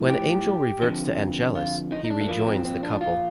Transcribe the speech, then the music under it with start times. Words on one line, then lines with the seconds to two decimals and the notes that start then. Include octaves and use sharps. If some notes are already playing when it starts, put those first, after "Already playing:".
When Angel reverts to Angelus, he re-joins the couple.
Already playing: A2 F3
0.10 G4
0.82 F2 D3 F3
1.55 F4
1.92 D#4
2.04 D#4
2.10 D4
2.21 A3
2.28 A#2 F3 A#3
2.47 C4
2.65 C4
2.83 D4
3.01 F4